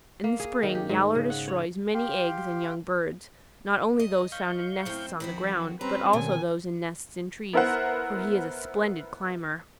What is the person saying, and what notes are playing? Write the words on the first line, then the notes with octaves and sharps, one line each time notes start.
In the spring Yowler destroys many eggs and young birds, not only those found in nests on the ground, but also those in nests in trees, for he is a splendid climber.
A#3
G#4
D#3
G4
G#2
C#3
F#5
C#5
G4 F5 G5 C6
D#5
F5 C#6 G6
F#2 A2 C4
D#3 F3 C4 F#4 B5
G3 C4 C#4 B4 A#5
B2 D#3 G#5
B3 E4 A#4 C5 F#5